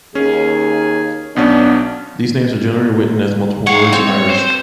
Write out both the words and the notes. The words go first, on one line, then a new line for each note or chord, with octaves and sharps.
These names are generally written as multiple words in Irish.
D#2 C#4 G#4
B1 B2 B3 C#4 D4
C#5 F5 F#5
C4 C#5
C5